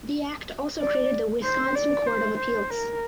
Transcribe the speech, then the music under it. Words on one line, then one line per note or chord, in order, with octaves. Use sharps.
The act also created the Wisconsin Court of Appeals.
D5
C5
D5
C5
C5
A#4